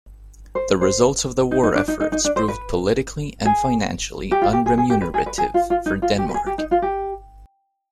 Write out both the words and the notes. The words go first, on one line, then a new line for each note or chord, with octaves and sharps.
The results of the war efforts proved politically and financially unremunerative for Denmark.
C5
C5
D#4
D#4
D4
D#4
D#4
D#4
D4
C5
B4
G#4
G4
F4
G4
G#4
G#4
G4
B4
G#4
B4
G#4
F4
F4
D#4
F4
G4
B4
G#4
G4
D#4
F4
G4